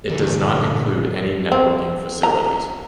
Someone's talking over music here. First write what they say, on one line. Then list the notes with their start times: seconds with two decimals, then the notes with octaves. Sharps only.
It does not include any networking facilities.
0.10 A#2 D3 E3
1.52 C4
2.23 A#5